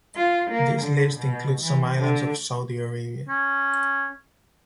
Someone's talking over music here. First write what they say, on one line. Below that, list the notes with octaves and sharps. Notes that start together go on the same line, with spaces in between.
This list includes some islands of Saudi Arabia.
F4
A#3
D3
B2
E3
D3
C#4